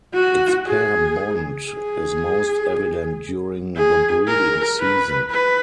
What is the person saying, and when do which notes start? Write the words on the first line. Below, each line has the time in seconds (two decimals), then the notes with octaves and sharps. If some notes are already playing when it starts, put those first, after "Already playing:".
Its pair bond is most evident during the breeding season.
0.14 F#4
0.66 G#4
1.70 G#4
3.76 G#4
4.27 A#4
4.79 B4
5.31 B4